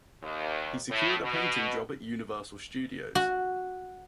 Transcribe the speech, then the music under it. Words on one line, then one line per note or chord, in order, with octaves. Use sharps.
He secured a painting job at Universal Studios.
D#2
A2
B2
F#4